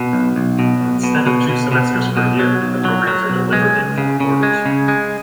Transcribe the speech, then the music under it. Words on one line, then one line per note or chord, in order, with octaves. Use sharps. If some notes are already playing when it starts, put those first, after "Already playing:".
Instead of two semesters per year, the programs are delivered in four quarters.
Already playing: B2
B1
B1
B2
B1
B2
B2
B2
B2
B1
B2
F#3
B1
F#3
F#3
B1
G#3
C#2
C#3
C#3
G#3
C#3
G#3